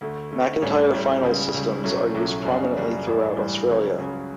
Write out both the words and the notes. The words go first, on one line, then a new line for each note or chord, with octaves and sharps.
McIntyre finals systems are used prominently throughout Australia.
D2 D3 A3
D2 D3 A3
A1 A2 G3 C#4
A1 A2 G3 C#4
C#2 C#3 G3
C#2 C#3 G3
B1 A2 F#3 A3 C#4
B1 A2 F#3 A3 C#4
F#2 C#3 G3 D4
F#2 C#3 G3 D4
A1 G2 E3 G3 D4
A1 G2 E3 G3 D4
C#2 C#3 F#3 C#4
C#2 C#3 F#3 C#4